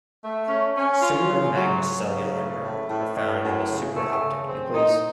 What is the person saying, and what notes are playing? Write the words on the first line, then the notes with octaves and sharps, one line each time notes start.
Similar magnocellular neurons are found in the supraoptic nucleus.
A3
C#4
C#4
F4
C#3
F#3
F#3
C#3
A3
A2
A2
A2
F#2
C#3
A3
C#3
C4
D#4